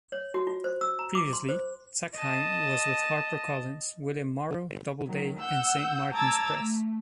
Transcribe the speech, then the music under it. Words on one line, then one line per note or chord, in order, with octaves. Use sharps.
Previously, Zackheim was with Harper Collins, William Morrow, Doubleday, and Saint Martin's Press.
C#5
F#4
F4
C5
E6
A#5
D6
C6
C5
D#5 A5
D#3 F#3
F#5 E6 G6
A5 A#5 D6 E6 G#6 A6
A3